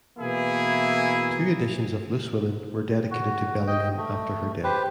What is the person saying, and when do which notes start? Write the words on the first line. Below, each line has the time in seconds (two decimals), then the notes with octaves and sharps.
Two editions of "Loose Women" were dedicated to Bellingham after her death.
0.19 B2 E3 A#3 E4 G#4
3.11 F#4
3.67 D#5 G5
3.97 A3
4.64 G4 B4 C5